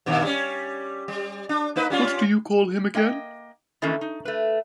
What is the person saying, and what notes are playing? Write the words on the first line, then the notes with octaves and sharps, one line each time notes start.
What do you call him again?
G2 A#2 D#3
G3 C#4
G3
D4
A#3 D#4 B4
G3 C#4 F4
A#3 D#5 G5
D#3 E3 A3 A#3 C#4
D#4
A3 B4